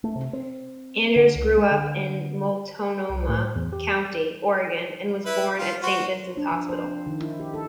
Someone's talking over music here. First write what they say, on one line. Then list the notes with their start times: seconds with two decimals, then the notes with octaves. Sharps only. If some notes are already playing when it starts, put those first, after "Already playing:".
Anders grew up in Multnomah County, Oregon and was born at Saint Vincent's Hospital.
0.04 A3
0.16 C3
0.33 C4
1.16 D3
1.36 C#2
1.58 G#3
1.71 D3
3.10 C2
3.29 A2
3.45 C5
3.56 E2
3.73 G4
5.26 E4 B4
5.58 F4
5.83 F#4 C5
6.37 D4
6.52 F3
6.69 C5
6.84 C4
7.06 D#3
7.20 E4
7.40 G4
7.54 A4